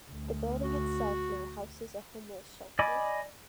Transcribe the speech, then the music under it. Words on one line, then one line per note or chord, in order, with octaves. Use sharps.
The building itself now houses a homeless shelter.
D2
F#4
D5 D#5 G#5 B5 D6